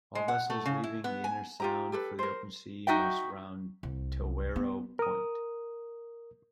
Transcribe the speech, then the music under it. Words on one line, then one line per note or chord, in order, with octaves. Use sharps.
All vessels leaving the inner sound for the open sea must round Tawero Point.
G#3
F#5
A3
C#3
E4
B3
G#5
F4 G4 A#5
G4 A4 B4
A#4 C5
D#4 F#4 E5 G5
C2
B3
A#4 D#6